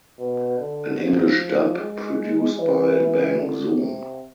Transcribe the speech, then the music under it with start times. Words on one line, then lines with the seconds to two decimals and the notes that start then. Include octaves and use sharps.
An English dub produced by Bang Zoom!
0.19 B2
0.59 D3
0.99 F3
1.79 G#3
2.59 E3
3.40 D3
3.79 C3